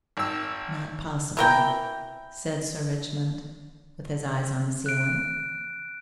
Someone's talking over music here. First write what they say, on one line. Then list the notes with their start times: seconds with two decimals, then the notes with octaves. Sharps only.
"Not possible," said Sir Richmond, with his eyes on the ceiling.
0.17 G#1 E6
1.37 E3 A#4 G5
4.86 F#6 D7